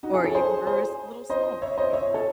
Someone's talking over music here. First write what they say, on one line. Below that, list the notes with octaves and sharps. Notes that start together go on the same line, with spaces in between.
or you can brew a s little small one, if you want.
D#4 F#4
E4 G#4
A4 C#5
G#4 C5
G#4 C5
C5 D#5
C#5 E5
C5 D#5
C#5 E5
A4 C#5